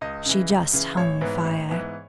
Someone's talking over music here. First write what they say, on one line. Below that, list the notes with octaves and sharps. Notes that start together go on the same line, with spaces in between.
She just hung fire.
C#2 D#5
C#3 E3
C#2
C#3 E3
A1 C#5
G#2 E3 B3
A1
G#2 E3 B3